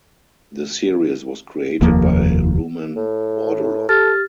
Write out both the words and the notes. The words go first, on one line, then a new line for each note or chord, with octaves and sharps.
The series was created by Ruman Bordoloi.
F1 D#2 F3 A#3
A2
G4 A4 F6 A6